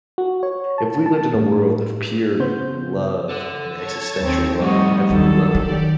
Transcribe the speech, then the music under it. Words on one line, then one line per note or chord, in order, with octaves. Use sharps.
if we lived in a world of pure love and existential love on every level
F#4
C#5
A5
A5
A2
C#3 B3 C5 G6
A4 F#5
C#5 A5 G#6
D#2 C4
A2 F3 G3 D#4 F#4 G4 D#5
D#2 F#3 A4
D#3 G4 D5